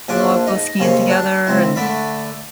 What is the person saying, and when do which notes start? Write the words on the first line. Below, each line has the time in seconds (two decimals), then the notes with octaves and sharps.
we'll all go skiing together and
0.08 A#1 F3 D4 G#5 D6
0.47 D#4
0.80 D#2 C#3 C5 C#5
1.10 D4
1.47 C#2 C4 E4
1.76 D3 A3 D5 E5 B5